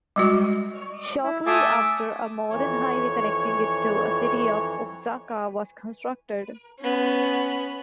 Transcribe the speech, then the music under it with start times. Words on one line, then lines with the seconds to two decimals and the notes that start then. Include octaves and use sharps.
Shortly after, a modern highway connecting it to the city of Oaxaca was constructed.
0.16 G3 G#3 F#4
1.24 E4
1.46 A3 A4 E5 G#5 D6 D#6
2.51 F2 E3 C#5
6.81 B3 C#4